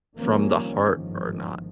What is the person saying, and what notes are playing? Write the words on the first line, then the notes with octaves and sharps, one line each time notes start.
from the heart or not,
D#3 F3 G3 A#3 C4 C#4
G1 G#2 D#3 F3